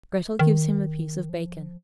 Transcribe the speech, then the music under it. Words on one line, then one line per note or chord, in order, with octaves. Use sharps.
Grettel gives him a piece of bacon.
D#3
F3